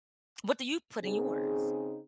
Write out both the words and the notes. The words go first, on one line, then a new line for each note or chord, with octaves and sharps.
What do you put in yours?
C#3 C4 D#4 G#4